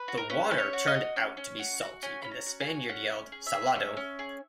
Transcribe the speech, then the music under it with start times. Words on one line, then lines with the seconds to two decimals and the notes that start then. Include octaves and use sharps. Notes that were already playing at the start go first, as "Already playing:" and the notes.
The water turned out to be salty and the Spaniard yelled salado!
Already playing: B4
0.08 F#4
0.17 A#4
0.30 C#4 B4
0.51 C#4 B4
0.58 C#5
0.73 F#4
0.87 D#5
0.95 F#4
1.16 C#4
1.37 C#4
1.59 F#4
1.81 F#4
2.03 C#4 G#5
2.22 C#4 B5
2.31 A#5
2.46 F#4
2.60 G#5
2.67 F#4
2.89 C#4 F#5
3.10 C#4
3.32 G#4
3.47 E5
3.53 G#4
3.76 C#4 E5
3.97 C#4
4.19 G#4